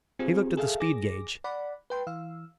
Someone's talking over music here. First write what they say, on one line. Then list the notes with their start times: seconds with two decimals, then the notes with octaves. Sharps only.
He looked at the speed gage.
0.19 C4 F4 G4 G#4
0.57 G#4 A4 E5 F5
0.80 G#4 D6 A#6
1.44 D5 F#5 B5
1.90 B4 G5 C6
2.07 E3 F5 E6